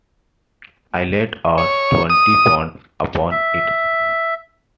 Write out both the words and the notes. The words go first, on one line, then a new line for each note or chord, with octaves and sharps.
I laid out twenty pounds upon it.
C#5
D#6
E5